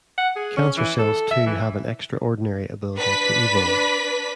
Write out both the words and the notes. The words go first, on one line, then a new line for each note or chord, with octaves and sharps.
Cancer cells too have an extraordinary ability to evolve.
F#5
G#4
C#4
E3
A4
E5
E3
D4 B4 B6